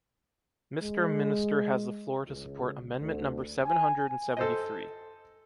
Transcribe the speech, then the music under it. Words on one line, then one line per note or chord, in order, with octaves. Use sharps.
Mister Minister has the floor to support amendment number seven hundred and seventy-three.
G#3
C#2
D2
G#5
A4 C5 D#5